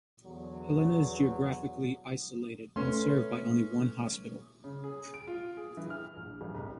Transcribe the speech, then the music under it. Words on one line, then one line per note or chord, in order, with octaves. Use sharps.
Helena is geographically isolated and served by only one hospital.
E2 D3 F#3
A3 C#4 B4 C6
C#3
G#4
D7
F4
G#4
E3
F6
A#1
A1
C2